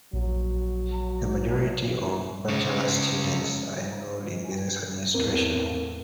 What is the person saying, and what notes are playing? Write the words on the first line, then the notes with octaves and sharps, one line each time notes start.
The majority of Bachelor students are enrolled in Business Administration.
A#1 F#3
C#3 G#3
E2 A2 C4 A#4